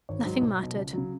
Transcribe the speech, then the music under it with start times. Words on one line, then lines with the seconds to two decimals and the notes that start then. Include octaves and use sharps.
Nothing mattered!
0.09 G#1 C#5
0.25 G#2 F#3
0.42 B1
0.59 B2 F#3
0.76 C#2
0.93 C#3 F#3